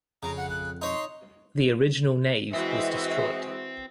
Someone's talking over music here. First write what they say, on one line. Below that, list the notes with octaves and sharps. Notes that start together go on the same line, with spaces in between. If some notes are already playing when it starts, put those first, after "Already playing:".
The original nave was destroyed.
F2 C#3 A#5
F#5
F#6
D#4 C#5 C6
E3 G#3 C4 F#4 E5